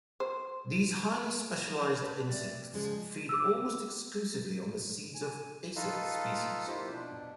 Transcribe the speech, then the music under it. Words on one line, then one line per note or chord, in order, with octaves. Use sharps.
These highly specialized insects feed almost exclusively on the seeds of "Acer" species.
C5
G4 B4 A5
A3 C4 D5
G#2 C#3 F3 G#3 G#4
D6 E6
G#5
D#4 F4 A4 B4 D#5 F5
F3 A#3 E4 F4 G4 C5
B2 D4